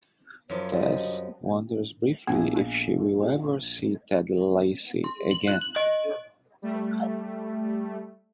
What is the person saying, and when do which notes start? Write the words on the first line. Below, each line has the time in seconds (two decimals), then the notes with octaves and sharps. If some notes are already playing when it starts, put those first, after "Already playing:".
Tess wonders briefly if she will ever see Ted Lacey again.
0.50 F#2 F3 C#5
0.72 F#3 G3 D#5
2.27 A#1 B3 G#4
5.04 C6
5.31 F#7
5.48 F#6
5.61 F#7
5.76 D#5
6.62 G3 A3